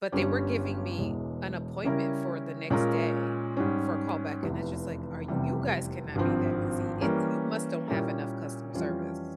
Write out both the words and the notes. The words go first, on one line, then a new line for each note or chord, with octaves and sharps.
but, they were giving me an appointment for the next day for a callback and that's just, like, "Are you guys cannot be that busy. It you must don't have enough customer service."
G1 G2 G3 C#4 G4
E1 E2 E3 G#3
C#3 G3 C#4 E4 A#4
A#2 G#3 C#4 F4 A#4
G#2 G3 C#4
F1 E2 E3
F1 E2 C3 E3 G3
G#1 G2 F3 C4
E3 G3 A#3 C#4
A#2 G3 C#4 E4 A#4
F2 E3 G3 C#4 F4